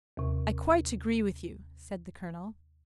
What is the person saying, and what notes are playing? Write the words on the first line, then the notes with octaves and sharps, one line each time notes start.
"I quite agree with you," said the Colonel.
D#2 C3